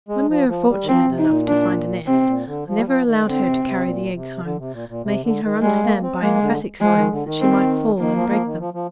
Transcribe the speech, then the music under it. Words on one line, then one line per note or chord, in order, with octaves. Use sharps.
When we were fortunate enough to find a nest I never allowed her to carry the eggs home, making her understand by emphatic signs that she might fall and break them.
G#3
F3
F3
G3
D#3
F3 C4
C3
D#4
A#2
D4
C3 C4
A#2
D3
F3
G3
F3
D#3
D3 C4
C3
C3
A#2
C3
D3
C3
A#2
A#2
C3
D3
D#3
G3 G#3
A#3
C4
G#3 A#3
D3
F3 G#3
D#3
D3
D#3
C4
D#3 A#3
F3
F3
D#3
F3
F3